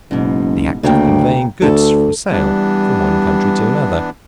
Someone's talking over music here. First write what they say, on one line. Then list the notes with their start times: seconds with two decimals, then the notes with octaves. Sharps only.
The act of conveying goods for sale from one country to another.
0.11 F#1 G#2 B2
0.83 D2 C#3 A#3 G5
1.62 D2 A4
2.31 E3 G3 B3 D4